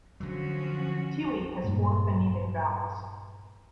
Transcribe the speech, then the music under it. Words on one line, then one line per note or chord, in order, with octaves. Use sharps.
Tiwi has four phonemic vowels.
D3 F3 F#3 C#4 F#4
G2 A#2